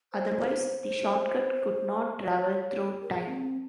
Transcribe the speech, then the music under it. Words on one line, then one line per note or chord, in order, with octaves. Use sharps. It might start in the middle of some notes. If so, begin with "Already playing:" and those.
Otherwise, the Shortcut could not travel through time.
C5
C5
C#5
A#4
G#4
C4